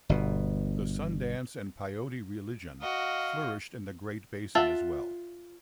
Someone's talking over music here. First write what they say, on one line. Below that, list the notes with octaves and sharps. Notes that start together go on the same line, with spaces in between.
The Sun Dance and Peyote religion flourished in the Great Basin, as well.
G1 B2
F#4 D#5 F5
F4 E5 F#5 A5